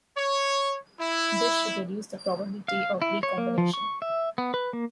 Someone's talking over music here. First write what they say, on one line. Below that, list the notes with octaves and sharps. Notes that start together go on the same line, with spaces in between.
This should reduce the probability of recombination.
C#5
E4
F5
E4
C#5
A#3
F3
C#6
E5
B3
B4
A#3